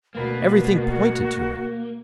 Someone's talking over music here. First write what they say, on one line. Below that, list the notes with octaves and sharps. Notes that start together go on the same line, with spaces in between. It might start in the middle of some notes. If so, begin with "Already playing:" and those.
Everything pointed to it.
D2 B2 A#3 A#4 B4
F#4